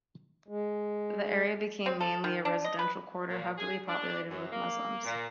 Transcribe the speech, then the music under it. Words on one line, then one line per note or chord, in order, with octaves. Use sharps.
The area became mainly a residential quarter, heavily populated with Muslims.
G#3
C4
A4
D#3
D4
D#5
B4
A#2
G#4
D4
F#2
A#3
A#2